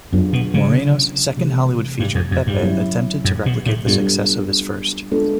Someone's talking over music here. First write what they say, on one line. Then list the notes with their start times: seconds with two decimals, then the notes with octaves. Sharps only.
Moreno's second Hollywood feature, "Pepe", attempted to replicate the success of his first.
0.13 F#2 F#3 B3 D4 F4 G#4
0.33 B2
0.54 C#3
1.37 C3 E3 A3
2.00 G2
2.15 F2
2.31 F2
2.47 G2
2.62 F#3 A#3 C#4 E4
3.25 F#2
3.46 B2
3.66 A2
3.86 G2 G3 B3 D4 F4 A4
5.12 G#3 B3 D4 F4 A4